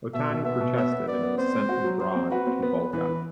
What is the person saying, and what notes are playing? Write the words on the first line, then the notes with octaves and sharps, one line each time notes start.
Otani protested and was sent abroad to bulk up.
B2 E5
B2
B3 E5
B2
B3 E5
B3
B3 D5
B3
C4 C5
C4
F#4
F#3
F#3 C5
C4
F#4 B4
C4
B3 B4
B3
E3 B4
E3